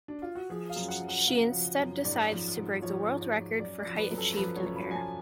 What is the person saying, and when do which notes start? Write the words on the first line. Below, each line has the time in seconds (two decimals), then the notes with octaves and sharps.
She instead decides to break the world record for height achieved in air.
0.08 D4
0.22 F4
0.35 F#4
0.50 F3 G#4
0.70 F5
0.76 F#2
0.88 F#5
1.02 F#2
1.08 F#5
1.27 C#3 F5
1.53 F3
1.79 F#2
2.05 G#2 D5
2.31 F3
2.57 G#2
2.82 F3 C#5
3.08 G#2
3.21 C#5
3.33 F3
3.59 F#2 D5
3.79 D5
3.86 F3
3.98 B4
4.11 F#2
4.18 A4
4.37 F3 B4
4.56 C#5
4.63 F#2
4.76 B5
4.88 F3 G#5
4.95 A5